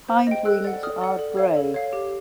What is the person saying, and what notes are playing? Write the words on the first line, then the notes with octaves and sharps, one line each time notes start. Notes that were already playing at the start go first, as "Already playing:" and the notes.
Hindwings are grey.
C5
D#5 G5
A4 E6 F#6
D5 F#5
A4 D#6 F6
D5 F#5
A4
C#5 F5
A4
C#5 F5
G4